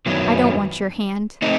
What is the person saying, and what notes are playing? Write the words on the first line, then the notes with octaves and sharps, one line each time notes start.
I don't want your hand.
F#2 D#3 F#3 B3 E4
A3 C4 D#4